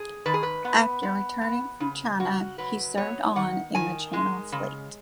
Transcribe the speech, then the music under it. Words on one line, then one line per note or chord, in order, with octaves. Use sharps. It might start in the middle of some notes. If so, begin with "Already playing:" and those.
After returning from China, he served on in the Channel Fleet.
Already playing: G#4
D#3 B4
G#4
B4
B3
B3
B3
C#3
C#3 F#4
F#3 B4
B3 C#5
D#3 F#5
D#3 G#5
G#3
C#3